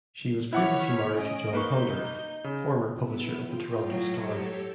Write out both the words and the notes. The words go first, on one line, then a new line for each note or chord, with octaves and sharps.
She was previously married to John Honderich, former publisher of the "Toronto Star".
E4 C#5 F#5 D6 F6 B6
C#4 D#5 D7
A#3 D#4 B4 C#6 G6
C#3
B3 E4
F4 G5
A2 F#3
G4 A4 C#5